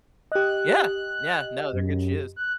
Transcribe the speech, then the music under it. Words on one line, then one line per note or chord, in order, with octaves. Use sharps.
Yeah. Yeah. No, they're good shoes.
G4 D#5 F#6
F#2
F#6